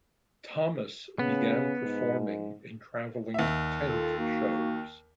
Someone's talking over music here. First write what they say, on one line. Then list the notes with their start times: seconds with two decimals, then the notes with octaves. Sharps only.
Thomas began performing in traveling tent shows.
1.19 C#3 B3
1.83 G#2
3.34 D#2 E5
3.85 F4 A4
4.17 A#3 D#4 F#4